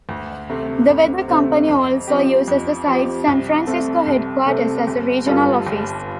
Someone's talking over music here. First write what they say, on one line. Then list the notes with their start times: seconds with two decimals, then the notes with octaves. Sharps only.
The Weather Company also uses the site's San Francisco headquarters as a regional office.
0.09 D2
0.49 C3 A3 C4
0.88 D2
1.28 C3 A3 C4
1.68 F2
2.08 F3 C4 G4
2.48 F2
2.87 F3 C4 G4
3.28 C2
3.67 C3 A3 C4 A4
4.07 C2
4.46 C3 A3 C4 A4
4.87 G1
5.26 G2 G3 F4 A4
5.67 G1